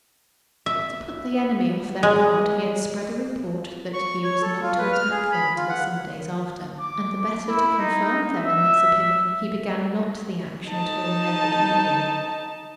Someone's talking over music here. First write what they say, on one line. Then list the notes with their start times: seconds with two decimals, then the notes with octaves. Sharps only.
To put the enemy off their guard, he had spread a report that he was not to attack them till some days after; and the better to confirm them in this opinion, he began not the action till near the evening.
0.66 E5
2.03 G#3
3.94 C#6
4.23 C#5
4.42 A4
4.62 F4
4.78 B4
4.93 F6
5.11 G#4
5.32 B5
5.56 F4
5.69 F#5
6.80 D6
7.47 E4
7.77 D#4
8.35 E5
10.69 D#4 A5